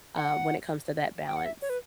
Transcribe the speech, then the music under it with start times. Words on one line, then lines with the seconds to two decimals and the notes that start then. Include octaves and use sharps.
um, when it comes to that balance?
0.16 F#5
1.27 G5
1.36 F#5
1.45 E5
1.62 C#5
1.70 B4